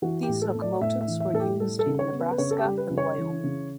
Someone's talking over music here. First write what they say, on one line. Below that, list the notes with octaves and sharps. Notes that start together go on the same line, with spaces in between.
These locomotives were used in Nebraska and Wyoming.
E3 F#4
G4
A2
A4
A3
D5
A2 E5
E5
E3
E5
A2 A4
G4
G3 A4
A4
C#3
C#5
B3
B4
B4
C#3 C#5
A4
G4
G3
B4
C#3
C#5
E3
C#3